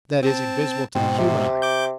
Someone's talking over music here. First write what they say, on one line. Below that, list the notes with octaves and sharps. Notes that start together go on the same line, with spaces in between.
That is, invisible to the human eye.
C4 A5
G#2 B2 C4
C3
D6 G6